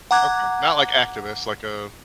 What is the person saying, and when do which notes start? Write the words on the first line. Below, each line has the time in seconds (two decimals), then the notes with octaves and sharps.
Okay, not like activists like a
0.11 F#5 A#5 D6 F#6 G#6